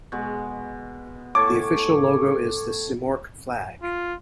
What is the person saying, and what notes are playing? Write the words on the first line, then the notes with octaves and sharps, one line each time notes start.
The official logo is the Simorq flag.
B2 G#3
A2 C#5 A5 D6
F4